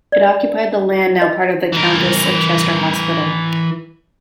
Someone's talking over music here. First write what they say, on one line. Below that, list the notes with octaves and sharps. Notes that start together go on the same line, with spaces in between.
It occupied the land now part of the Countess of Chester Hospital.
D5
D#5
E3 A#4